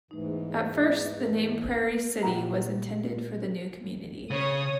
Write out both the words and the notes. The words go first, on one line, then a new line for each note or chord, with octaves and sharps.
At first the name Prairie City was intended for the new community.
E2 G#2 E3 A3 D#4
A#2 E4 G4 F#5 A#5
C#3 C#5 D#6